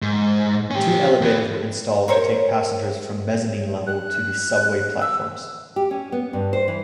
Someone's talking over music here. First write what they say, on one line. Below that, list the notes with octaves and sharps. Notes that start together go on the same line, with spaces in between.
Two elevators were installed to take passengers from mezzanine level to the subway platforms.
G#2
C#4 G4
E2 B3
A#4 C5 C#5
F#6
E6
G4
C#4
B3
G2
C5
E3